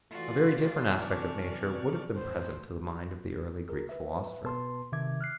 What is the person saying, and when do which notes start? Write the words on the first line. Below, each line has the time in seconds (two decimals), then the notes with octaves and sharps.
A very different aspect of nature would have been present to the mind of the early Greek philosopher.
0.11 E3 A3 F4 F#4 D5
1.02 C3 D4 D5 C#6 F6
2.15 E2 A2 C5
3.69 G#4 A#4
3.89 B4 E5
4.44 B2 B3 B4 A5 C6
4.92 C3 D#3 E5 D6 G#6
5.21 F6 F#6 C7